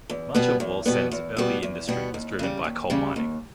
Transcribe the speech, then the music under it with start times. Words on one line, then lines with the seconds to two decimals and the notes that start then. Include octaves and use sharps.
Much of Wallsend's early industry was driven by coal mining.
0.10 E2
0.34 B2 G3 B3
0.60 E2
0.86 B2 G3 B3
1.11 E2
1.37 B2 G3 B3
1.63 E2
1.88 B2 G3 B3
2.14 D#2
2.39 C#3 G3
2.64 D#2
2.90 C#3 G3
3.16 D#2